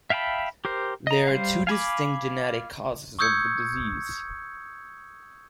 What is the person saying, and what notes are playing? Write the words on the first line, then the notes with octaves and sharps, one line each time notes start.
There are two distinct genetic causes of the disease.
E5 F5 G5 A5 B5
G4 A#4 C5
D#5 A#5
G3 C5 F5
F5 G#5 B5 D6
C#6 D#6 E6 G6 G#6 C#7